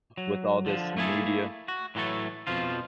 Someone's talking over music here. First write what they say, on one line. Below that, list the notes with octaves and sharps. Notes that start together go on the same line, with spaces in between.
with all this media.
F#3
D3 F3
A3 A#3 E4 G#4 A4
F#4
A2 E3 F#3 A3 A4
F2 B2 F3 F4